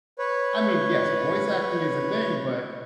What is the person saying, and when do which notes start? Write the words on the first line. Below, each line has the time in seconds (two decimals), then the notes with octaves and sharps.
I mean, yes, voice acting is a thing, but
0.19 B4 C#5